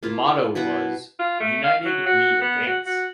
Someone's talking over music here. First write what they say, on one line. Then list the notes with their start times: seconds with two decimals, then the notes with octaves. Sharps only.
The motto was "United We Advance".
0.03 A#3 E4 F4
0.55 B2 E4 E5 F#5
1.19 F4
1.41 A3
1.64 F5
1.85 F#3
2.06 F#4
2.42 B3
2.67 F#4
2.86 F#4